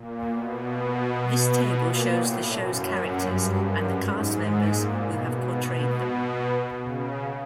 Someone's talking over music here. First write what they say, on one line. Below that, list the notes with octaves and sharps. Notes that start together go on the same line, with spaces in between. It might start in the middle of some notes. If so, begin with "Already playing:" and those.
This table shows the show's characters and the cast members who have portrayed them.
Already playing: A#2
B2
B2
A#2
A2
F#2
G2
F#2
G#2
A#2
B2
B2
B2
C#3